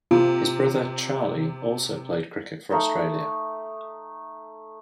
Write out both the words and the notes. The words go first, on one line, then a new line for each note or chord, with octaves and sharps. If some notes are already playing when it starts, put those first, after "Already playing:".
His brother, Charlie, also played cricket for Australia.
C3 F4
A3 D#4